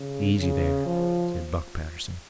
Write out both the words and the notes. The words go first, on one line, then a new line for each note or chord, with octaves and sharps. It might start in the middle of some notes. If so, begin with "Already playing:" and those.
"Easy there!" said Buck Patterson.
Already playing: C#3
C#3
F3